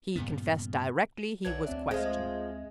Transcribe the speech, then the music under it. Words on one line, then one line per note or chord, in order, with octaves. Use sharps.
He confessed directly he was questioned.
G2 A#2 C#3 B3
B1 E3 F#3 D4 B4 G#6
D2 C4 E5
F3 G#3 F4